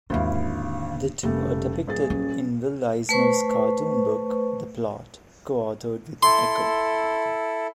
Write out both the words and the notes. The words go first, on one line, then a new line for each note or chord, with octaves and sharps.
The two are depicted in Will Eisner's cartoon book "The Plot", co-authored with Eco.
G#1 D#2 D3 E4 F5
F1 C#3 G3 A3
D#1 G#4 A6
F#3 C#4
A3 B4 C5 C#6
E4 A4 C6